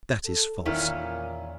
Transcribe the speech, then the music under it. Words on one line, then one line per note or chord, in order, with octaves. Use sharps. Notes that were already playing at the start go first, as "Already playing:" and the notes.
That is false.
A4
E2 A#2 D#3 C#4 E4